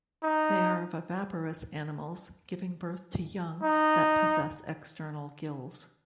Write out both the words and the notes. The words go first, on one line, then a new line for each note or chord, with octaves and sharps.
They are viviparous animals, giving birth to young that possess external gills.
D#4
D#4